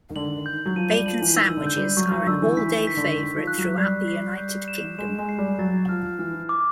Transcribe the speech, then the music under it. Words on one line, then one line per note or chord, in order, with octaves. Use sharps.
Bacon sandwiches are an all-day favourite throughout the United Kingdom.
D#3
D3 F#7
D#3
G6
F#3
F3 D#7
G3
F3 F#7
E3
D#3 E6
D3
G6
G3
F#3 C#6
F#3
D#3
D3 E6
E3
E3 B6
D#3
B6
D3
D#3 B6
F3
F#6
F#3
G3 C7
C7
G6
E7
G#3 E7
G#3
C7
G3
F#3 A6
F3 F6
E3 F6
D6